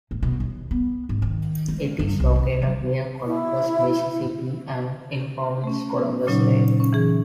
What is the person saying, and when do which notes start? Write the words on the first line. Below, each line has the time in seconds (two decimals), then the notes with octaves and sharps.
It is located near Columbus, Mississippi, and impounds Columbus Lake.
0.11 A2
0.23 B2
0.40 D#2
0.71 B3
1.09 G#2
1.22 D#3
1.68 G#3
1.99 G2
2.20 C2
2.36 C3
2.62 F#3
3.26 E4
5.64 A3 C#4
6.27 A#2 C#3 F#3 C#4 D#4
6.80 C#4
6.93 E3 G#4